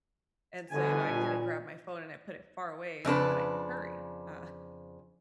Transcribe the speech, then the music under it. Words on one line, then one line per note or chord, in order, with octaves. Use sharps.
and so, you know, I didn't grab my phone, and I put it far away so that I could hurry, uh,
G1 B2 D3 G#5
A#2
F2 C#3 D4 B4